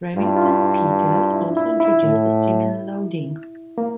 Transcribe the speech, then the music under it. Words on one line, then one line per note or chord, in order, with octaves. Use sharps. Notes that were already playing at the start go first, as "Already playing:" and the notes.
Remington-Peters also introduced a similar loading.
G2 F4
E4
F4
F4
E4
D4
E4
E4
A2
A#3